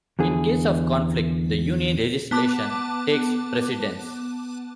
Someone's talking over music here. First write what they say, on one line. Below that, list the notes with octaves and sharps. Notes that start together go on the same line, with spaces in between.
In case of conflict, the Union legislation takes precedence.
E2 D3 E3 G#4
B3 A5 D6 F#6